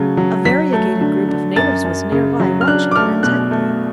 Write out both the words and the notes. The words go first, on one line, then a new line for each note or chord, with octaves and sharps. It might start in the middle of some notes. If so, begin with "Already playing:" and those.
A variegated group of natives was near by, watching her intently.
Already playing: C#3 F#3 A3
F#3
F#3 B6
A3
D3
D3
F#2 A6
F#2
C#3
F#3
F6
D4 F#6
D6
A3 F6
B2 F#6
A3